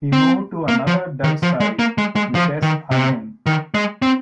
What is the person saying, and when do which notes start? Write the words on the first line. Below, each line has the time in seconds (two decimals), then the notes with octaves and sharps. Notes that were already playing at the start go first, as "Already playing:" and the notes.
He moved to another Dutch side, Vitesse Arnhem.
0.13 C4
0.68 A#3
0.87 F3
1.24 D#3
1.43 F3
1.60 G#3
1.79 A#3
1.98 G#3
2.16 G#3
2.35 F3
2.62 D#3
2.91 C3
3.46 D#3
3.74 G#3
4.02 C4